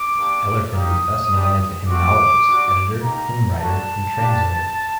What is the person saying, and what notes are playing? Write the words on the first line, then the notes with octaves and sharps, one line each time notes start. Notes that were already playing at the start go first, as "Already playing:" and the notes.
Ellerton was best known as a hymnologist, editor, hymn-writer and translator.
Already playing: D6
A#3 D4 G4
A#3 D#4 G4 D#6
G3 D4 G4
A3 C4 F#4 D6
G3 D4 F#4
A#3 D#4 G4 A#5
A3 D4 F#4 A5
A#3 D4 G4